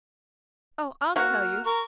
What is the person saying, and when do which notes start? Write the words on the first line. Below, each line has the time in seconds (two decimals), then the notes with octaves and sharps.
Oh, I'll tell you!
1.16 A#3 F#4 F6
1.65 A#4 C#6